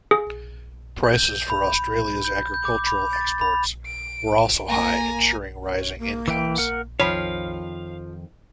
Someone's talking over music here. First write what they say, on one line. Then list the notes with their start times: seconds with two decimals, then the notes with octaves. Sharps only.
Prices for Australia's agricultural exports were also high, ensuring rising incomes.
0.11 G#4
1.04 G6
1.50 B5
2.25 G6
2.54 G6
2.65 D6
2.87 B5
3.13 A6
3.41 B5
3.86 D7
4.69 A#3 G#5 A#5
5.64 C#5
5.99 A#3
6.28 E3 E5 G5
6.58 A#4 F#5
7.00 F2 D#3 F3 C#5 F5 G5 A5 B5